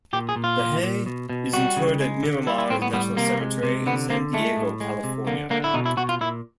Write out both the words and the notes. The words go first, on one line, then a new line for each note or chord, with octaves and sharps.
LaHaye is interred at Miramar National Cemetery in San Diego, California.
A#2 G4
G#4
A#2
F4
A#2
A#2
B2
B2
G3 F#4
C#3
G#3
D3
G3 E4
E4
A2 C4
B3
G3 B3
C3 A#3
G#3
C3
D3 B3
D3 A#3
G#3 A3
A2
G#3
C3
D3 A#3
D3 A#3
E4
B2 D#4
E4
B2 F#4
F4
A#2 E4